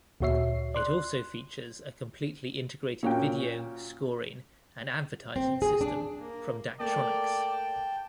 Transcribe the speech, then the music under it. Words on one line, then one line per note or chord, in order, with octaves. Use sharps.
It also features a completely integrated video, scoring and advertising system from Daktronics.
D2 A#2 F#4 C#5 E5 C7
D5 C6 F#6
A#2 C#4 F#4 G5
C4
G#4
D4
A#3
A3 A#3 D5 G5 A5